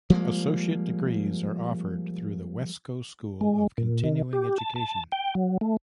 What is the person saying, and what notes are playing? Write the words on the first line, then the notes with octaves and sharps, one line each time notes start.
Associate degrees are offered through the Wescoe School of Continuing Education.
F3 G3 G#3 A#3
G#3
A#2
D#3
G4
A5
A5
G5
F#3
A3